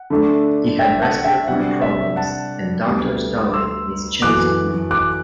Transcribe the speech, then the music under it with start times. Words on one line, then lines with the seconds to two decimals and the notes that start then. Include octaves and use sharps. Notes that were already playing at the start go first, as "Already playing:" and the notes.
He had respiratory problems and doctors doubted his chance of living.
Already playing: F#5
0.10 D3 A3 D4 A4
0.79 E5 G5
1.02 F#5 A5
1.24 E5 G5
1.48 C3 G3 D4 F#5
1.82 E5
2.16 F#5 A5
2.85 D2 D3 G3 B3
3.49 D6
3.54 C6 E6
4.22 F#2 E3 B3 F#4 A4 D6 F#6
4.91 D6 F#6